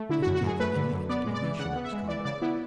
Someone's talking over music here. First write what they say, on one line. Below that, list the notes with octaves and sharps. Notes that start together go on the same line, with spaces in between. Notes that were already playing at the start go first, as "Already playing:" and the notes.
"Did he give any explanation of his conduct?"
Already playing: A3
D3 E4
F#4
F#2
F#4
F#2 G#4
A3 B4
D3
F#2
B3 D5
G#3
D5
E3
C#3 F#5
B3
E5
G#3
E3 D5
C#3 D5
B3 E4